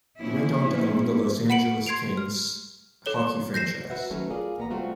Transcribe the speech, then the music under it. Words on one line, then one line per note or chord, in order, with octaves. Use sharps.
He went on to own the Los Angeles Kings hockey franchise.
F3 A#3 B3 C#4 D4 E4
F#5 B5 C#7 D7 F#7
C6 G#6 C7 D7 F7
F6
A4 C#5 G7
G6 A#6 C7 E7
F#4 B4 E5 F#5
D#3 F#3 A3 C#4 B4
F4 G#4 A#4 D5 F5
A#3 B3 A#5
C3 G3 A3 C4 F4 F#4